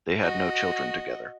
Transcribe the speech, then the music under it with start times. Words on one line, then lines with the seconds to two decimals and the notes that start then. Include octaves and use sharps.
They had no children together.
0.20 F#4 D#5